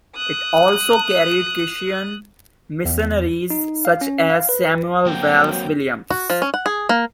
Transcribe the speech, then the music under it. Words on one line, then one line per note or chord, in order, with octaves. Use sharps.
It also carried Christian missionaries such as Samuel Wells Williams.
D#6 F#6
E2
D#4
F5
C#4
F5
B4
G2 F#3 A#3 C4 G5
F#4
F3
C#4
F#5
G#4
A#3